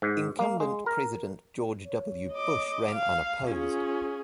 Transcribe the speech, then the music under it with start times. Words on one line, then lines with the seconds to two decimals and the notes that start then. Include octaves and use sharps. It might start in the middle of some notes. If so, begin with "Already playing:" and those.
Incumbent President George W. Bush ran unopposed.
0.02 G#2
0.39 A#3
0.60 G#3
0.86 A#4
1.87 C#5
2.33 D#5 D6
2.93 F5
3.48 C#4 F4 G#4